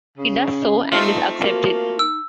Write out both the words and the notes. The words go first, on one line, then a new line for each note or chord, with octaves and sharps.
He does so and is accepted.
C#3 C#4
A3 C4 D#4 F4
A#3 F#4
D#4 E6